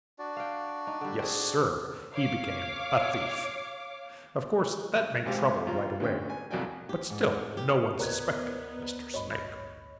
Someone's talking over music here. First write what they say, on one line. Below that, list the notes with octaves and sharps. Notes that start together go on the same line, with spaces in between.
Yes, Sir, he became a thief. Of course that made trouble right away, but still no one suspected Mr. Snake.
D4 F#4 D5
F5 G5
D#4
D3 G3
C4 G#4
C#5 F5 D6
G2
G#1 C#2 G4 C5 F5
G2 F4 A#5
D2 D3 C#4 G5
G#5
C2 F2 F#3 D5 G5 G#5
G4
G#2
G4
D2 B3 A#4 C5 D5 D#5 F#6 G#6
A1 G2 C#5 D#5 B5